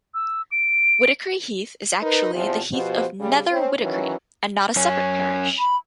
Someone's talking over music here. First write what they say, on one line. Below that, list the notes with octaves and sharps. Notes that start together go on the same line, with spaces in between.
Whitacre Heath is actually the heath of Nether Whitacre and not a separate parish.
E6
D7
D#4 A#4 B4
E2 C3 F3
B2 F3 B3 G4 C5
C#3 G3
C4 C#4
D#3 E3 F#3 C#4
F#2 C#4
B5